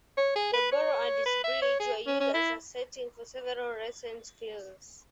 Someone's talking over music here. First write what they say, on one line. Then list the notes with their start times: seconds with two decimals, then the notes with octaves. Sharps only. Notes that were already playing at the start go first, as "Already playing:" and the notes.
The borough and its bridge were used as a setting for several recent films.
0.17 C#5
0.36 G#4
0.53 B4
0.72 C#5
1.26 B4
1.44 E5
1.62 C#5
1.79 G#4
2.07 C#4
2.20 C#4
2.34 E4